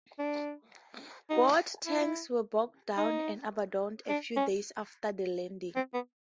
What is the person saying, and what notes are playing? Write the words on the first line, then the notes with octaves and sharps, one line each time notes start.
Both tanks were bogged down and abandoned a few days after the landing.
D4
D#4
E4
D#4
D4
C#4
C4
B3